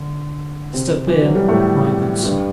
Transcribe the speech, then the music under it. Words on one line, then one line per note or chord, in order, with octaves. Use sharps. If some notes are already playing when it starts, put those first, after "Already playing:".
"Step in, my good sir."
Already playing: D3
C3 C4
E3
F#3
G3
A2 A3
G2 G3